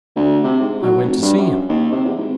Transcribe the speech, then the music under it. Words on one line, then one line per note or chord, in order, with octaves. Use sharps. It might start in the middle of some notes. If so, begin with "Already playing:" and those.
"I went to see him."
D2
C3
G#2
F#3
F1
G2
F#2
D#2
C3
E2
G#1